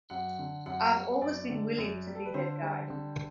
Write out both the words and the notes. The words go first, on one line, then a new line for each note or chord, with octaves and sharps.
I've always been willing to be that guy.
F#2 F#5
D3
F#2 F#5
G3
F#2 D5
D3
F#2
G3
A4
B4
D3 C5
G3
D3